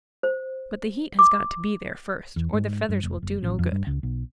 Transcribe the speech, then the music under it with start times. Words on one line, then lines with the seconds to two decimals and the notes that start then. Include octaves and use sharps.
But the heat has got to be there first, or the feathers will do no good.
0.23 C5
1.19 D6
2.36 E2
2.53 G#2
2.89 G2
3.03 F1
3.23 F#1
3.43 A1
3.59 F2
3.72 G2
3.87 C#2
4.03 B1